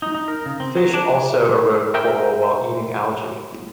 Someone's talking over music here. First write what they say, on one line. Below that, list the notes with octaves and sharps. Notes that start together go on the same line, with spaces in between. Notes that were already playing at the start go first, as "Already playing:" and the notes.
Fish also erode coral while eating algae.
D#4
D#4
A#4
C#3
C4
F#3
D4
A#4 E5 G5